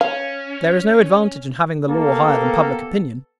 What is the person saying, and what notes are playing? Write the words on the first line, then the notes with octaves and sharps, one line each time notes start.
There is no advantage in having the law higher than public opinion.
C#4 F5
A#3 B3 G4 A4